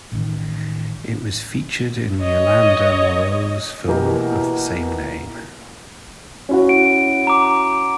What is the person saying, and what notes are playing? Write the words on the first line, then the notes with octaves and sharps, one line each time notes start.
It was featured in Yolande Moreau's film of the same name.
A1 D#3
C#5 D#5
B2 E3 A#3 G4 A#4 A#5
C#4 E4 F#4
D7
A#5 D6